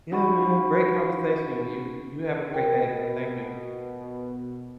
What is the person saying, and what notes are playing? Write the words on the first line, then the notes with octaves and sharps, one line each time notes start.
Yeah, man, great conversation, you you have a great day. Thank you.
C#4 D#4 F#4 F#5 B5 C#6
B2 A#4 G5